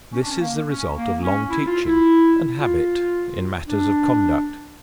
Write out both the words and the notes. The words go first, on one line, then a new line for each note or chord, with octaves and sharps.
This is the result of long teaching and habit in matters of conduct.
C#4
D4
C#4
A#3
C#4
A#3
C#4
E4
F4
E4
F4
D4